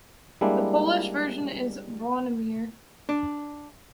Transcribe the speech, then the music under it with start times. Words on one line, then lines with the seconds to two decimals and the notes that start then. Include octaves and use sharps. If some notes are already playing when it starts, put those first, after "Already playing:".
The Polish version is Bronimir.
0.41 G3 G#3 A#3 D4 E4
3.09 D4